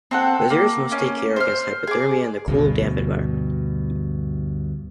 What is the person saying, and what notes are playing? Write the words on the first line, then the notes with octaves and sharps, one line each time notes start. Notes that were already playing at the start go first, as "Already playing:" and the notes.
Visitors must take care against hypothermia in the cool, damp environment.
C4 A4 F#5
A#3
A#3 C#4
C5 F6
G#4 D6
D2 G2 B2